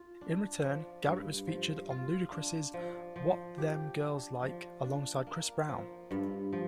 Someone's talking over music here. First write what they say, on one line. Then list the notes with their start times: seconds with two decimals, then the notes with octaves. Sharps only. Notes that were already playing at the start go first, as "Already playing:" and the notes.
In return, Garrett was featured on Ludacris's "What Them Girls Like", alongside Chris Brown.
Already playing: F4
0.21 D4
0.64 F3
1.06 G2
1.47 F3
1.90 F4
2.32 D4
2.74 F3
3.16 F3
3.58 G4
4.00 D4
4.42 F3
4.84 D4
5.27 A#3
5.68 F3
6.11 G2
6.53 F3